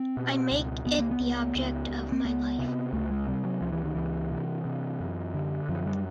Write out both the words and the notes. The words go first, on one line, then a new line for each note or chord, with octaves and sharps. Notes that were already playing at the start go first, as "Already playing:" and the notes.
I make it the object of my life.
Already playing: C4
B2
C#2
C#2 B3
A#3
B3
C#2
C#2
C#2
C4
C#2 B3
C3
C#2 A3
G#3
C3 G3
F#3
C#2 F3
E3
D#3
C#2 E3
C3
C3
F#2
D3
F#2 F3
G3